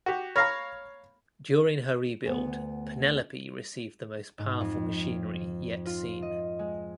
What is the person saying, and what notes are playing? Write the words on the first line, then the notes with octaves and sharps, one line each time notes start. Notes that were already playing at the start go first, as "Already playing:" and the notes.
During her rebuild "Penelope" received the most powerful machinery yet seen.
F#4 G4
C#5 F5 A#5 B5 F6 A#6
D2 B3
G#2
F2
F4
D#5
G#3